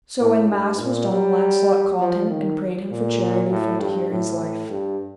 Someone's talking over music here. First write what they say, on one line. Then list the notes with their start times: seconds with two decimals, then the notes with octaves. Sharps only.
So when mass was done Launcelot called him, and prayed him for charity for to hear his life.
0.20 A2
0.50 G2
0.80 A#2
1.10 G3
2.00 F3
2.30 D#3
2.91 A#2
3.50 A2
3.80 G2
4.11 A2
4.70 G2